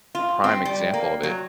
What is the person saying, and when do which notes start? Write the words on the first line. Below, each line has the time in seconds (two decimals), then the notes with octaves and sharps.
prime example of it
0.15 F4
0.44 C4
0.65 G3
0.94 A#3
1.23 F#3